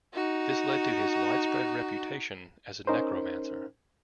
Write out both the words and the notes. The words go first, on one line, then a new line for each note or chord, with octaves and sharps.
This led to his widespread reputation as a necromancer.
D#4 F#4
C#4 D#4 A#4 C5